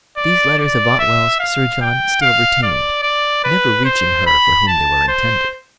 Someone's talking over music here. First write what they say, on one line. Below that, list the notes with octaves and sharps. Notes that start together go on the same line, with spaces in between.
These letters of Otwell's Sir John still retained, never reaching her for whom they were intended.
D5
D5
E5
F5
G5
F5
D5
D5
B4
C5
B5
A5
C5